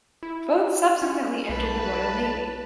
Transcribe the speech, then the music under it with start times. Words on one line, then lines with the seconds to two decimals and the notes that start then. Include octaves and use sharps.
Both subsequently entered the Royal Navy.
0.23 E4
1.02 C#4
1.49 B1 B4 A5